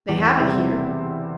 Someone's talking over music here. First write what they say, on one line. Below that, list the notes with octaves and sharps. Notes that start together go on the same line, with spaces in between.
They have it here.
E2
C3 G3 C4 E4